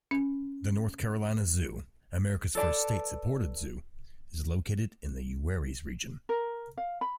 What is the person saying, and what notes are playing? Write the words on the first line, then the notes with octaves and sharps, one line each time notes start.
The North Carolina Zoo, America's first state-supported zoo, is located in the Uwharries region.
C#4
A4 B4 D5 A5
A#4
F5
B5